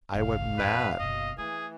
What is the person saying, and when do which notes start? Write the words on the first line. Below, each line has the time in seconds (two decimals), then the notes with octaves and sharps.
I went mad!
0.15 F#1 C2 F5
0.58 A1 F2 B4
0.99 F#1 B2 D#5
1.38 E3 A3 G#4